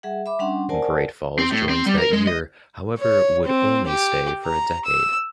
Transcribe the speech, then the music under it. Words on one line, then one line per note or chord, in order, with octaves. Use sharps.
Great Falls joined that year, however would only stay for a decade.
G3 G#4 E5 F#5
E5 B5 D6
G3 C#4 D4 F#5 C6
A#4 C5 D5 F#5 G#5 A5
C4
A2
C4
G3
A#4
G#3
D#5
C#5
C4
G4
A#5
E6